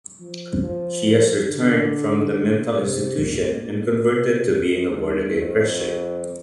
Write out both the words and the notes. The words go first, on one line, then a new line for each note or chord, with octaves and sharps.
She has returned from the mental institution and converted to being a born-again-Christian.
F3
F3
D3
C3
A#2
C3
G2
F2